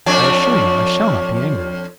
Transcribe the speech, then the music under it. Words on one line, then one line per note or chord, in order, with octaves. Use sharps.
"I assure you I shall not be angry with you."
F2 D4 C#5